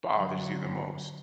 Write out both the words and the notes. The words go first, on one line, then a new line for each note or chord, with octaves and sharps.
bothers you the most?
D3 F#3